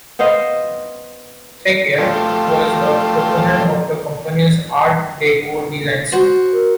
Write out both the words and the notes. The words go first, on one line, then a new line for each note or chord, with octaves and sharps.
Sakier was also a proponent of the company's Art Deco designs.
B3 C5 D#5 F5
F3 G3 A3
F#4 C5
A#4